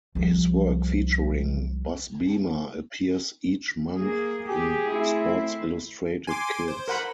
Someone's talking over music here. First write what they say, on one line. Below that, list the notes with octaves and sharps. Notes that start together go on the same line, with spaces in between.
His work featuring Buzz Beamer appears each month in "Sports Illustrated Kids".
C2 F3
A#3 G#4
G4 G#4
A3 C4 E4
G#5 C6 D6
C5
A#4 F#5 B5